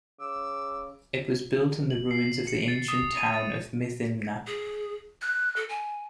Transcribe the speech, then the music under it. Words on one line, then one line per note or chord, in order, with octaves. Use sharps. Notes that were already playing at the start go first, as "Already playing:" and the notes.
It was built in the ruins of the ancient town of Mythimna.
C#3 D6 E6
F#7
C7
C#7
A6
D#6
D#7
A6
G#4
F#6
A4
G#5